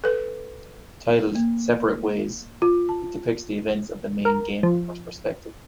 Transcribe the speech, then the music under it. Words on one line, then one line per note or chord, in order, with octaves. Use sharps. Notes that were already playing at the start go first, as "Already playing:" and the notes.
Titled "Separate Ways", it depicts the events of the main game from her perspective.
A4 B4
A#3
F4
A5
A#4
F3